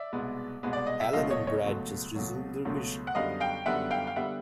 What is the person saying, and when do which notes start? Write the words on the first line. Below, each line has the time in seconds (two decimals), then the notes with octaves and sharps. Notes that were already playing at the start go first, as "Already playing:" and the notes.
Allan and Brad just resume their mission.
Already playing: D5 E5
0.13 C2 B2 G#3 B3
0.63 C2 B2 G#3 B3
0.73 D5
0.87 D#5
1.00 E5
1.13 C#2 B2 F#3 A3 D#5 F5
1.30 C#5 D#5
1.47 C#5 D#5
1.64 C#2 B2 F#3 A3
2.15 C#2 B2 F#3 A3
2.65 C#2 B2 F#3 A3
3.07 F#5
3.15 F#2 D3 G3 B3 D#5 F5
3.40 F5 G5
3.66 F#2 D3 G3 B3 E5 F#5
3.91 F5 G5
4.07 F5
4.16 D3 G3 B3 E5 F#5